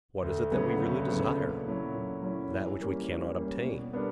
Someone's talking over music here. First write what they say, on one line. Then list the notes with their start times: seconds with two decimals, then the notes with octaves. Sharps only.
What is it that we really desire?--that which we cannot obtain.
0.23 D2
0.51 C#3 F#3 B3
0.80 D2
1.08 C#3 F#3 B3
1.37 A#2
1.66 F#3 C#4 E4
1.94 A#2
2.22 F#3 C#4 E4
2.50 E3
2.79 G3 A#3 C#4
3.08 E3
3.36 G3 A#3 C#4
3.64 B2
3.93 G3 B3 D4 A#4